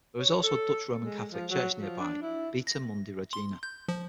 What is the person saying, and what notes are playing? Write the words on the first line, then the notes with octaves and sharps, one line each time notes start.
There is also a Dutch Roman Catholic church nearby - Beata Mundi Regina.
C#5
A4
G#3
F3
F#3
F3
D4
E4
A#6
C6
G6
F3